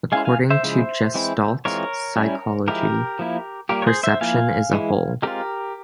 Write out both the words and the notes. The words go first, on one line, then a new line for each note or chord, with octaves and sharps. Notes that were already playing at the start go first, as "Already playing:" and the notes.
According to Gestalt psychology, perception is a whole.
G#3 C#4 E4 F5 G#5
F5 G#5
C5 E5
C#3 F3 G#3 E4
E3 G#3 C4 E4
E3 G#3 C4 F4 A#4 C#5
G3 C#4 E4
F3 G#3 E4 G4 A#4
F3 A#3 E4
G3 A#3 F4 G4 A#4
C#5
G#4 C5
C5 E5
F3 A#3 E4 F5 G#5
E3 G#3 E4
G#3 C4 F4 G4 A#4